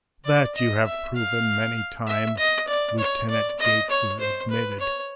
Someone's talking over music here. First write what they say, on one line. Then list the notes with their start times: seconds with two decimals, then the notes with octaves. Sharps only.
"That you have proven many times," Lieutenant Gatewood admitted.
0.24 D5
0.55 D#5
0.85 E5
1.16 F5
2.06 E5
2.37 D#5
2.68 D5
2.98 C#5
3.28 D5
3.59 D#5
3.89 C#5
4.19 C5
4.50 B4
4.80 C#5